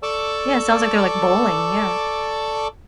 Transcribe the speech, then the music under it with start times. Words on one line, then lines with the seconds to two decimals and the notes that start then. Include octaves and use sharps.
Yeah, sounds like they're, like, bowling, yeah.
0.03 A4 D5 A5 C#6 D6 E6